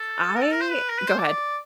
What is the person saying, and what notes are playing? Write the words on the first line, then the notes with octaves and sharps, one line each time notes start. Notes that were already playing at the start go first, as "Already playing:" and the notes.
I go ahead.
Already playing: A4
A#4
A4
A#4
C5
B4
A#4
B4
C5
D5